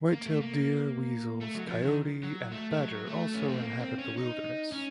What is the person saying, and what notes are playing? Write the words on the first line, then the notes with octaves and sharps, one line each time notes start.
White-tailed deer, weasels, coyote and badger also inhabit the wilderness.
A#3
A3
A#3
A3
F#3
F3
D#3
F#3
A3
A3
F#3
A3
C#4
C4
A#3
C4
C#4
D#4
C#4